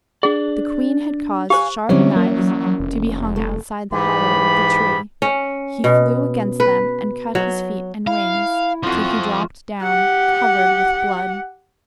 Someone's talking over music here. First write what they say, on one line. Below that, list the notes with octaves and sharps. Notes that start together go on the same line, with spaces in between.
The queen had caused sharp knives to be hung outside the hollow of the tree: he flew against them and cut his feet and wings, till he dropped down, covered with blood.
D4 G#4 D5
G4 C5 F5 G#5
D3 E3 F#3 G3 C4 C#4 D5
A#3
F1
A3
G#2 E3 G4 B5
C#4
B2
B4
F#3
E4 F5
F2 F3 F4 F#4
G4 F#5